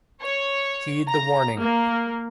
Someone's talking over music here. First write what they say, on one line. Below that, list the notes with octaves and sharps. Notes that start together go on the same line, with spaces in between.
Heed the warning.
C#5
A#5
A#3